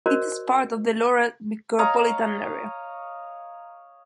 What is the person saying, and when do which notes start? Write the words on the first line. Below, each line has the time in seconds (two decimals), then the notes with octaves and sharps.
It is part of the Laurel micropolitan area.
0.06 F#4 A#4 C5 D5 D#5
1.79 C#5 D#5 F5 A#5